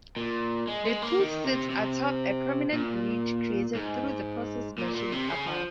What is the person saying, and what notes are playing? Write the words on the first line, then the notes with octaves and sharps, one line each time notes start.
The Tooth sits atop a prominent ridge created through the process mentioned above.
A#2
G#3
G#3
A#3
D#3
C3
C3
A#2
G#2
A#2
A#2
C3
C#3
F3